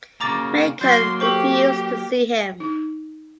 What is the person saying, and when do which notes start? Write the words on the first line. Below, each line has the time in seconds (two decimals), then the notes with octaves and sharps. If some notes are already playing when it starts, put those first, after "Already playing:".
Macon refused to see him.
0.20 C#3 A#3 A#5 D6 A6
0.81 F#3 A#3 C6 G6 A6
1.20 G4 A4 C5 C#6
2.60 D#4